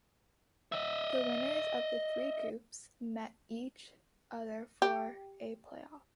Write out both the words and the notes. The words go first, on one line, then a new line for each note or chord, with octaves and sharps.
The winners of the three groups met each other for a play-off.
D#5 E5
G4